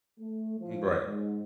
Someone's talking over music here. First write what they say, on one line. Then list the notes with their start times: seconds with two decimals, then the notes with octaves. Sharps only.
M right.
0.20 A3
0.59 F3
1.03 G#2